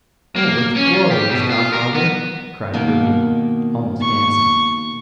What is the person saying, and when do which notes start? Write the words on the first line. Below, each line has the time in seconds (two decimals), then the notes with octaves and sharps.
"Oh, it's glorious, godfather," cried Ruby, almost dancing.
0.36 A#3
0.76 C#4
0.94 F4
1.11 G4
1.31 B2
1.51 F4
1.73 A#4
1.95 B3
2.74 B2 D#3 A#3
4.01 C#6